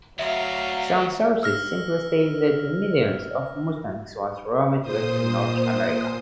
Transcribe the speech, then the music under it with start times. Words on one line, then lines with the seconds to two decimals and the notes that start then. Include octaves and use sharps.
Some sources simply state that "millions" of mustangs once roamed western North America.
0.19 D2 F#3 E5 F5
1.43 E6 F6 A#6
4.81 A#2 C5 D#6